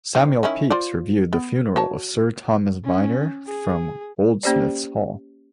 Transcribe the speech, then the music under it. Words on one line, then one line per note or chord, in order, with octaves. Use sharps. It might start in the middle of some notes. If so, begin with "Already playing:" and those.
Samuel Pepys viewed the funeral of Sir Thomas Vyner from Goldsmiths' Hall.
C4 D#4
D#3 C#4 E4
F4 C5 D5
B3
F#4 C#5 A5
C#4
G#4
A#3 C#4 G4 C5 D5